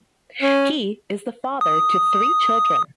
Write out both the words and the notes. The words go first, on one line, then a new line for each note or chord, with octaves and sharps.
He is the father to three children.
C#4
D#6